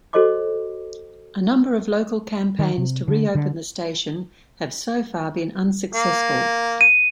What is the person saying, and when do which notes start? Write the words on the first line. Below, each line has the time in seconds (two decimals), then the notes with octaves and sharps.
A number of local campaigns to re-open the station have so far been unsuccessful.
0.13 F#4 A4 C5 D#5 C6 D6
2.59 D#3
2.78 C3
3.08 D3
3.35 D3
5.93 A#3
6.81 D#7